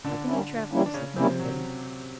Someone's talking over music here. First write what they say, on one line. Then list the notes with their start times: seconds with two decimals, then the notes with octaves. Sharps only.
Tuppenny travels in London.
0.04 A#2 D3 D4
0.27 G3 A#3 C#4 E4
0.49 A#2
0.71 G3 A#3 C#4 E4
0.86 D4
0.94 A#2 C#3 C#4
1.16 C3 G3 A#3 C4 C#4 E4
1.39 A#2 F#3